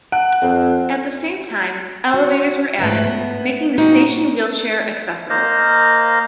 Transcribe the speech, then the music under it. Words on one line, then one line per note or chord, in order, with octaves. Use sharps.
At the same time, elevators were added, making the station wheelchair-accessible.
F#5 F#6
F2 C4
F#4
G#2 A3 B4 G5
B3
A#2 A#3 D#4 F#4 G4 F#5
A#3 C5 D#5 F5